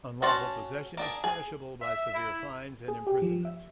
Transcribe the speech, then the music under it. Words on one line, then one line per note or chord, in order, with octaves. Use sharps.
Unlawful possession is punishable by severe fines and imprisonment.
C#4 F#4 C5 D5 A5
A#3 D4 G#4
G#4 G#5
E5
E4
G#4
G4
F3
E5